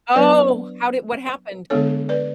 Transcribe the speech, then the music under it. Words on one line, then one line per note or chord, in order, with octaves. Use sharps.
Oh, how did what happened?
F#3 B3 D4 B4 D5
D3 G#3 B3 D4 A4 C#5
B4 D5